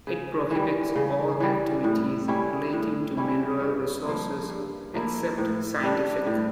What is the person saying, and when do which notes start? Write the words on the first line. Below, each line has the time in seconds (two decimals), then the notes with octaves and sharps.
It prohibits all activities relating to mineral resources except scientific.
0.07 C#3
0.51 E3 G3
0.96 C#3
1.40 E3 G3
1.84 A2
2.28 G3 C#4 E4
2.73 A2
3.17 G3 C#4 E4
3.61 G2
4.05 F3 A#3 E4
4.50 G2
4.94 F3 A#3 E4
5.38 A2
5.83 G3 D4
6.27 A2